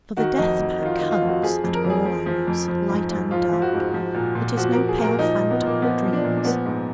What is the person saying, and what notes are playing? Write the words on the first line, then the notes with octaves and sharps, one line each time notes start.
For the death-pack hunts at all hours, light and dark; it is no pale phantom of dreams.
D#3 F#4
F2 D#4
F2
D#3
F4
D#3 D#4
F4
F2
F#4
F3 G#4
F2
A#4
F2
G#4
F3
F3
F2
F3
G#2
G#2
F3 F4
F3
F#4
G#2
F3
A#2
A#2
F3 F#4
F3 A#4
G#4
A#2
A#4
F3 D#4
A#2
B3
A#2 A#3
F3 B3
F3
D4
A#2
D4
F3 B3
G#2